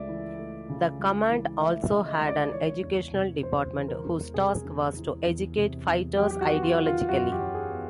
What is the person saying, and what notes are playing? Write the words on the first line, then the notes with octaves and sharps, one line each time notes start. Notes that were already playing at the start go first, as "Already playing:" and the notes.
The command also had an educational department whose task was to educate fighters ideologically.
Already playing: C#2 C#3 A3 D5 E5
E3
A3
C#3
C#2
E3
A3 E5
E5
C#3
D#5
C#2
D5
E3 C#5
E2
C3
E2 C5
E3
A#4
E2
C3 G#4
E2
E3
E2
C3
E2
F#3 G4
G4
F#4
B3
F4
D#3
F4
F#2 F#4
G4
F#3
G#4
B3